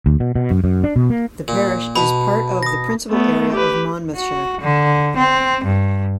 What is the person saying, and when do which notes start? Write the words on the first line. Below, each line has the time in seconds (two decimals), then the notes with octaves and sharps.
The parish is part of the principal area of Monmouthshire.
0.06 D2
0.20 B2
0.35 B2
0.51 F#2
0.64 F#2
0.84 D4
0.96 B2
1.10 A#3
1.48 A#2
1.96 B2 A5 B5
2.63 D#6 A#6
3.11 A3 B3
3.53 G4 B4
4.16 F#4
4.62 D3
5.17 C4
5.65 G2